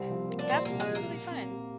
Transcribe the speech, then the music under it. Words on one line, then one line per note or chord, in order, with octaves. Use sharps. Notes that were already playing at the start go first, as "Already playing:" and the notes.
That sounds really fun.
Already playing: C2 G3 C4
F3
A#3
D4
A#2 C4
C2 A#3
G#3
F3 A#3
A#2
C4
G4